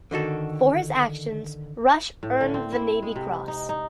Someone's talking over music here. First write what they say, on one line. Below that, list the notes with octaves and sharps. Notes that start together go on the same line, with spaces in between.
For his actions, Rush earned the Navy Cross.
D3 D#3 F#4 A4
A2
D3
C4
E4
G#3
C3
D#4
D#4